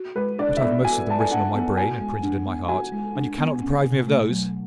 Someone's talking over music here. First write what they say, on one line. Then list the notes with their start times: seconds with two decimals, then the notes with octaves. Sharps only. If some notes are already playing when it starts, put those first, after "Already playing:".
But I've most of them written on my brain and printed in my heart, and you cannot deprive me of those!'
Already playing: F#4
0.16 G#3 B4
0.39 D4 D5
0.57 E5
0.61 B3 D5
0.84 F#4 G#5
1.07 G#3 A5
1.20 G#5
1.31 D4 F#5
1.54 B3
1.77 F#4 G#5
2.00 G#3
2.23 D4
2.46 B3
2.69 F#4 G#5
2.92 G#3
3.15 D4
3.38 B3
3.62 C#4
3.85 B2
4.07 A3
4.30 F#3